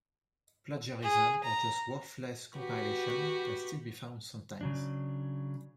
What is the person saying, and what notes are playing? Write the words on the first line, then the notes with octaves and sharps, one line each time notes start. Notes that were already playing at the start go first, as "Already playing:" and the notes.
Plagiarism or just worthless compilations can still be found sometimes.
G#4
A#5
F#4 G4 B4
C#3 F#3 D4